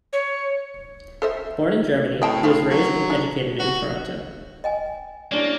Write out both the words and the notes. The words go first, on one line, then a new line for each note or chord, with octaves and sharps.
Born in Germany, he was raised and educated in Toronto.
C#5
A4 C5 E5
A2 D#5 G5 A5
F3 A3
F#3
D4
F#4
D#5 G5 G#5
A#3 C#4 D4 E4 G4 D5